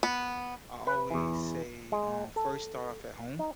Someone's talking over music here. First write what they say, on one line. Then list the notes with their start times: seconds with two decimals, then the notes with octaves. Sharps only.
I always say, um, first, start off at home,
0.03 B3
0.87 B4
1.11 E2 E3
1.92 G#3
2.36 A4
3.39 D#4